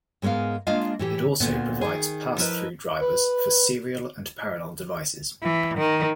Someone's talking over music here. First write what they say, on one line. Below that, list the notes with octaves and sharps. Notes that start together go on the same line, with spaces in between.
It also provides pass-through drivers for serial and parallel devices.
G#2 G#3 B3 A#4 F5
G#3 A#3 D4 F4 D#5 F5
A2 E3 G4
D2 A#2 B3
D#3 G#4
F3 E4 A#4 B4 D#5
B4
E3
D#3